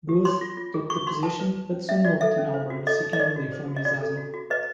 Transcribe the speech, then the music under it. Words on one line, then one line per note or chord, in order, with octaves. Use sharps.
Goethe took the position but soon moved to Melbourne seeking relief from his asthma.
G4
C#5 C6
F4
F4
G#4
F#4 C#6
F#4 C6
B4 A5
B4
B4
C#4
C#4 E5
F#4 D5
A4 E5
C#4
C5
F#4
A4 D#5
D#4
D#5
D#4 D5
F#4
C5
F#4
D#5
F#4 D5
A4
F#4
F#4
B4 D#5